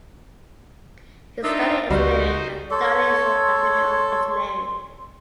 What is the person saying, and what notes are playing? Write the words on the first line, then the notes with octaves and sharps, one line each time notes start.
He studied engineering at the Danish Academy of Engineering.
D4 D#4 F4 D#5 E5
C#2 G3 D#4 F#4 C5
A4 C#5 C6